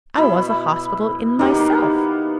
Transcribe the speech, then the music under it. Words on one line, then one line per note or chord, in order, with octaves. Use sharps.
I was a hospital in myself.
B2 E4 B5
A#3 B3 D#4 G4